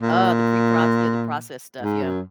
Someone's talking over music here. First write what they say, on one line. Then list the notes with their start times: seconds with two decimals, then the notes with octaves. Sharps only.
Oh, the preproc yeah, the processed stuff, yeah.
0.02 A#2
1.83 G#2
2.02 F#2